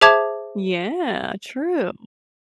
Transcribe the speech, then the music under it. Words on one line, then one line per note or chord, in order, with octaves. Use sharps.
Yeah, true.
G#4 C5 E5 A5 D6 G#6